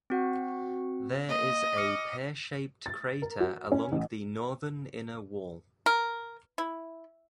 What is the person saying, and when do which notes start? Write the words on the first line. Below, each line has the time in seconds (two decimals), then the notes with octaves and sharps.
There is a pear-shaped crater along the northern inner wall.
0.10 C4 F#4 F#5
1.29 A#3 D#5
1.76 D6 F6 C#7
2.86 A6
3.22 A#4
3.40 F#4
3.72 C#4
3.92 A1
5.86 A#4
6.58 E4